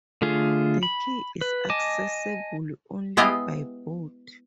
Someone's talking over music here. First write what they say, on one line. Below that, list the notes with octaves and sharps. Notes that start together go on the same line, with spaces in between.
The key is accessible only by boat.
D3 A3 F4 G#4
B5
B4
D#5 G#5 A5 D6
G#3 B3 E4 G4 D#5 F5